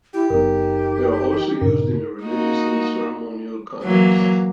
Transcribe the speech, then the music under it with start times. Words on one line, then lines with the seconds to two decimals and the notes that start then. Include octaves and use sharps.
They are also used in a religious and ceremonial context.
0.14 E4 G4
0.30 F#1 B3 D#4 A#4
1.61 G2 A#2 C#3 A#4
2.23 A#3 D#4 F#4
3.83 E3 F#3 A#3